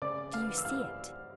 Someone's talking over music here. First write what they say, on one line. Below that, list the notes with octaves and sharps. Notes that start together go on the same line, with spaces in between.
"Do you see it?"
C#3 D5 D6
F5 F6
E3
E6
F5 F6